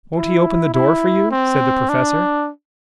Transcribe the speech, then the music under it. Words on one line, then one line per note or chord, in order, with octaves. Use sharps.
"Won't he open the door for you?" said the Professor.
E4
E4
C4
D4